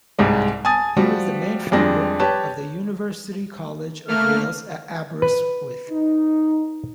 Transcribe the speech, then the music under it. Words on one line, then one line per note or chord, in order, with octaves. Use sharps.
He was the main founder of the University College of Wales at Aberystwyth.
C2 G#2 G3 G#3
G#5 A5 D#6 A6
F3 G3 F#4
F2 G3 G#3 D4 A#6
G4 B4 C#5 A5
A3 A#3 F6
B4
D#4